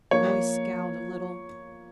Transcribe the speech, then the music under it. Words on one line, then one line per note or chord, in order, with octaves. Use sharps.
The boy scowled a little.
F3 A#3 F4 C#5